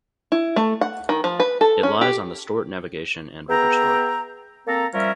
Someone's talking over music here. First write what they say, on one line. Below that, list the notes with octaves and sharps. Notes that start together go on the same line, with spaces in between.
It lies on the Stort Navigation and River Stort.
E4
A3
F#5
D#3
F3
B4
A4
C#4
G4
B3 G#4 E5 G5 A#5
A#3 C4 A4 A#5
F3 G3 C#4 A#4 E5